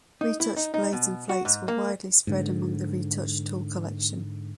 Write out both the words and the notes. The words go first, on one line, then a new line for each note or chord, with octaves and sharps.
Retouched blades and flakes were widely spread among the retouched tool collection.
D#4
E4
D#4
D#4
B2
F#4
G#2
A#3
G#2 D3